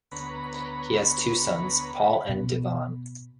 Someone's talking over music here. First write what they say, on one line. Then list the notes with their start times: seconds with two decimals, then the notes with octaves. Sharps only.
He has two sons, Paul and Devon.
0.12 D2 B3 B4 C#5 A#5 B5
2.29 B2